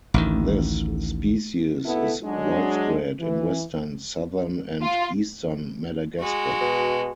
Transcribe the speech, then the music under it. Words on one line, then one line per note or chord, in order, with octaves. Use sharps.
This species is widespread in western, southern, and eastern Madagascar.
A1 D2 D#3
B2 B3 E4 A4
F#3 G#3 D4
E3
F4
G#3 F#4
B2